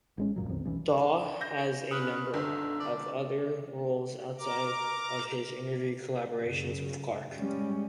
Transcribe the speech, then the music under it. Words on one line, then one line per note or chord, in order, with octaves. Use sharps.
Dawe has a number of other roles outside of his interview collaborations with Clarke.
A1 G#3 C#4
A#1 F#2 A#2 F#3
B1 F2 D#3 C4
B1 E3 C#4
G6 A#6
C#4 B4 D#6 F6 F#6
G1 D3 D#3 E6
D5
A#4 A#5 D6
F#2 C#3
G3 G#3 C#4